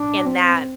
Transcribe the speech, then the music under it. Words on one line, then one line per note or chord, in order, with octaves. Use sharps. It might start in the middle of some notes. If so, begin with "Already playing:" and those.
and that
Already playing: D4
C4